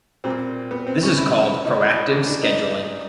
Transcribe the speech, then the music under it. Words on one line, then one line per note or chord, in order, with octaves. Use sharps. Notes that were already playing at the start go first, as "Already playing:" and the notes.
This is called "proactive scheduling".
A#2 G3 A#3 C4
B3
C4
C#4
E4
E4
D#4
E4
D#4
E4
C#3 E3 A3 D4
D4
D#4